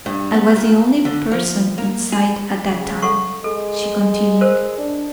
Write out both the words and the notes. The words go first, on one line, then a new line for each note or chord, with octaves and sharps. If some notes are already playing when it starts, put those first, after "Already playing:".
"I was the only person in sight at that time," she continued.
G2
B3
A#2
D3
F3
A#3
G#4
C#3
A4 F#5 C#6
G#3 A4
A#4 C5
D4